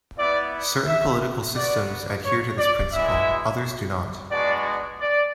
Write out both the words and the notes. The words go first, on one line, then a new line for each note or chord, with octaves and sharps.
Certain political systems adhere to this principle, others do not.
B3 E4 D5
E5
B3 F#4 D5
C#5
D5
G#3 B3 E4 E5
G#3 B3 D4 F#4 D5
D5